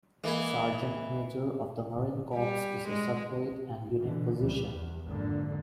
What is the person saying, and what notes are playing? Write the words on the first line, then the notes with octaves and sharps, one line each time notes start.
Sergeant Major of the Marine Corps is a separate and unique position.
E3 G#3 A#3 G#4
G3
G#3
B2 D3 E3
C#2 A#2 E3 F3 G3
E2
G#1 F2 A#2 D3 A#3